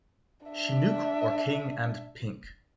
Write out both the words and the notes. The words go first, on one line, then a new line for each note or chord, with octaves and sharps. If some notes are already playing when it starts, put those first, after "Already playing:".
Chinook or King, and Pink.
D4 E5